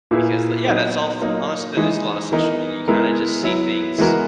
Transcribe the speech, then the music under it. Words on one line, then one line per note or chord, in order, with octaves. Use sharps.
because l yeah, that's all s honestly, that is a lotta social media. You kinda just see things,
A#2 A#3 E4 G#4 B4
F#3 B3 D#4
F#3 A#3 D#4
E3 G#3 D#4
E3 B3 D#4 A#4
G#3 B3 E4 A#4
F#3 B3 E4
E3 G#3 B3 F#4 A#4